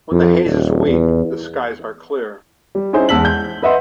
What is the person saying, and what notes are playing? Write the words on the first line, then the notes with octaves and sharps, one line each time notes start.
When the haze is weak, the skies are clear.
F2
D#1
E2
G3
C#4 D#4 E4 G#4 C5
E2 G#3 A5 E6 B6 F#7
G6
B4 D#5 E5 F#5 C6